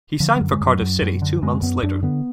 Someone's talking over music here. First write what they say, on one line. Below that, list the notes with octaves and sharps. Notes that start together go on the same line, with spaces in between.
He signed for Cardiff City two months later.
D3 F3
F#3
F#2
G#3
F#2
F#3
F#2
F#2
D3
F#2 G#3
F#2 B3
F#2 D4
D3 B3